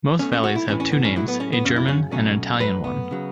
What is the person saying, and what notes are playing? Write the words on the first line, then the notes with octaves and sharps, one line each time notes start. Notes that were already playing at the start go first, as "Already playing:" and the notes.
Most valleys have two names, a German and an Italian one.
B1 B2 A3 C#4
C#4
F#4
E4
A2 E3 A3 C#4
C#4
B3
C#4
A2 F#3 A3 E4
B3
C#4
B3
F#2 C#3 F#3 C#4
E4
C#4
B1 B2 F#3 A3 C#4
F#2 F#3 A3 B4
B3
C#3 F#3